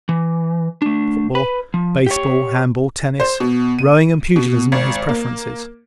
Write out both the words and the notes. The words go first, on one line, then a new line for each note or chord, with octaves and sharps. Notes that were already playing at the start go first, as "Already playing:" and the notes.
Football, baseball, handball, tennis, rowing and pugilism are his preferences.
E3
A3 D4
B4 B5
F3
G4 C#5
C5
B2
D#7
B2
G#1
A#3